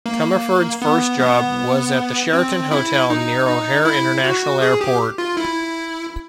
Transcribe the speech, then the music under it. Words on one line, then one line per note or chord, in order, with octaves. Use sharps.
Comerford's first job was at the Sheraton Hotel near O'Hare International Airport.
A#3
B3
B3
C4
E4
D#4
D#4
E4
F#4
G#4
G4
F4
E4